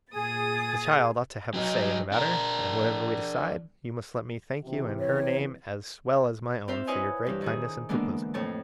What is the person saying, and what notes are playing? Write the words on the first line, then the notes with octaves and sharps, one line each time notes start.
"The child ought to have a say in the matter; and whatever we decide, you must let me thank you in her name as well as my own for your great kindness in proposing it."
A#2 G#4 D#6 A6
F#3 D#4
D4 A#4
C3 E3
C#5
C4 F4 C5 E5 F5
E4 B4 C#5 D#5 F5 G#5
G2 E3
D#3 E4 G#4
D3 E3 G#3 A#3 B3 D4
F2 A2 C#5 A5